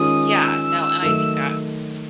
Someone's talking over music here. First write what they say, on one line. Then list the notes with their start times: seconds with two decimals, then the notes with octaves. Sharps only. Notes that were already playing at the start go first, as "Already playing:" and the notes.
Yeah, no, and I think that's
Already playing: D#3 G#3 C#4 F4 G#4 D#6
0.44 E6
1.02 D#3 F#3 A3